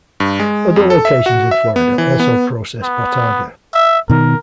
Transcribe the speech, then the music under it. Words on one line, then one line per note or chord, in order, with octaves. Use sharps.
Other locations in Florida also process bottarga.
G2
G#3
F2
A4
E5
F#4
E5
B3
E3
B3
B3
E5
B2 D#3 A#4